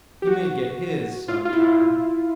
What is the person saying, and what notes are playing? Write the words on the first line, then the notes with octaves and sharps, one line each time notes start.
"He may get his some time."
G4
F#4
F4
F4
E4